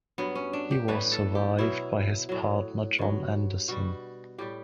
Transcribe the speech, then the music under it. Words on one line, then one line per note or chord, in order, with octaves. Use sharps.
He was survived by his partner John Anderson.
G2 F#3 B3
C#4
D4
G4
A2 E3 G3 B4
A4
G4
B2 F#3 E4
A2 F#3
G2 F#3
B2 G3 F#4
A2 G3 G4